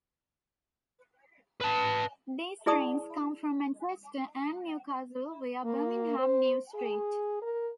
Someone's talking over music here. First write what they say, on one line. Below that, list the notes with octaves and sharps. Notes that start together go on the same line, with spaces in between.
These trains come from Manchester and Newcastle via Birmingham New street.
B4 A5
E4 G#4 D5 A5 D#6
A#3
C5
G#4
A#4